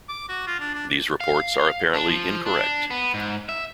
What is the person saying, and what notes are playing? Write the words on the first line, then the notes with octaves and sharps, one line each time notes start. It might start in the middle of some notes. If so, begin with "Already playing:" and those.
These reports are apparently incorrect.
D6
F#4
F4
D4
D4
F5
D4
F3
D4
B3
G#2
E5